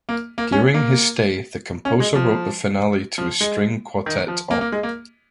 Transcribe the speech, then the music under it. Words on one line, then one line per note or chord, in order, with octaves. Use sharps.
During his stay the composer wrote the finale to his String Quartet Op.
A#3
A#3
C#4
A#3
C#4
G#3
F3
F3
G#3
D#3
F3
A#3
A#3
G#3
A#3